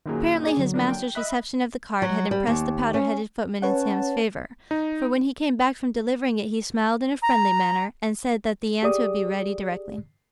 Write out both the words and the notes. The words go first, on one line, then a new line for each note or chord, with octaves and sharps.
Apparently his master's reception of the card had impressed the powdered-headed footman in Sam's favour, for when he came back from delivering it, he smiled in a friendly manner, and said that the answer would be ready directly.
F#2 A#2 D#3 F#3 G#4
G#4 D5
D3 F#3
F3 A#3 D4
G5
D#5 E5 B5 F#6
F#3
G3
D#2
C#4
C#4 B4 C#5 F#5 A5
D#4
A#5
G4 G#4 D5 D#6